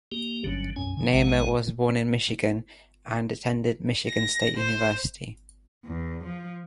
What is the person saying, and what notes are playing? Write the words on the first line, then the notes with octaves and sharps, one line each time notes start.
Neeme was born in Michigan and attended Michigan State University.
A#3 G4
G1 G2 D3 F#3 C#4
B1 F#2 C#4 G#5
D3 F3
A#1 G#3 F#5
A#6
C5
E2
F3